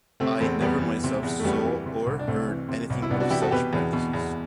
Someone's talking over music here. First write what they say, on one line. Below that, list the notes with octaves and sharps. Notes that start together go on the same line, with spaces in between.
I never myself saw or heard anything of such practices.
C3 A3 C4
E2 A3 C4
E2 G3 B3
E3
C3
E2
A3
E2 G3 B3
E3
C3
C2
D4
C2 A3 C4
E3
C3
C2
E4
C2 B3 D4
D4 F#4
E3 E4 G4
F#4 A4
B2 G4 B4
E2
B2
E2